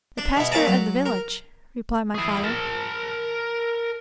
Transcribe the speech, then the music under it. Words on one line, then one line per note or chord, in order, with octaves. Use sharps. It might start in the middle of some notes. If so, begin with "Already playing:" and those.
"The Pastor of the village," replied my father.
D4
B2 E4
A#2 C#4 D5 A5 A#5
F#3
A#4
E4 G#4
A#4 A5